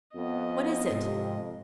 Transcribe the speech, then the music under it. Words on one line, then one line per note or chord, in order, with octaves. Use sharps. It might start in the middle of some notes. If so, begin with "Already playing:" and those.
'What is it?
F2 B3 D#5
F2 G#2 C3